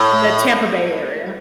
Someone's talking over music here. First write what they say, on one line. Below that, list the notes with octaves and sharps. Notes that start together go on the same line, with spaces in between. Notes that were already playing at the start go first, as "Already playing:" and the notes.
and the Tampa Bay area.
Already playing: A2